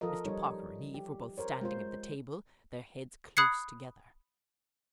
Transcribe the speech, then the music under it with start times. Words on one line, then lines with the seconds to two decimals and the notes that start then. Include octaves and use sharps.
Mr. Parker and Eve were both standing at the table, their heads close together.
0.01 F3 F4 A4 A#4 D#5
0.25 G3 D#4 C#5
0.94 G4
1.38 A#4 C5 C#5
1.61 G#3 F4 C5
3.37 B5 D#6 F#6 G#6 C7 C#7